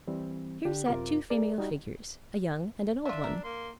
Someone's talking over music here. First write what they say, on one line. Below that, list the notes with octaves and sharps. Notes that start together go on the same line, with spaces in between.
Here sat two female figures, a young and an old one.
E3 G3 C4
D3 D4 G4
F#2 C3 F4 A#4 D6
G#4 A#4 D5
G3 D#4 F#4
C#4 D4 F4 E5
A#4
A#3 C6